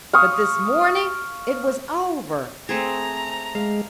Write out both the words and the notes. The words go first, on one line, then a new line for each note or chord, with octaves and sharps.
But this morning it was over.
F5 C#6 D#6
A3 C4 G#4 A#5
G#3 F5